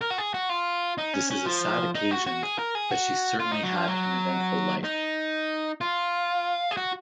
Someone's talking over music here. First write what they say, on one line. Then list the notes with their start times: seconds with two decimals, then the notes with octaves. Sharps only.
This is a sad occasion, but she certainly had an eventful life.
0.01 A#4
0.10 F#4
0.18 G#4
0.34 F#4
0.49 F4
0.98 D#4
1.14 C#4
1.31 C#4
1.46 F3
1.95 D#4
2.11 F#4
2.27 F#4
2.43 G#4
2.59 A#4
2.75 G#4
2.91 F#4
3.40 F4
3.51 D#4
3.63 F#3
3.76 F3
3.88 F#3
4.84 D#4
5.81 F4
6.71 G#4
6.77 F#4